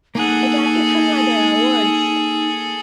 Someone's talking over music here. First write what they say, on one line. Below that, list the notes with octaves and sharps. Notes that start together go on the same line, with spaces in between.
Adapted from Libera Awards.
A#3 D#4 G#4 A4 F#5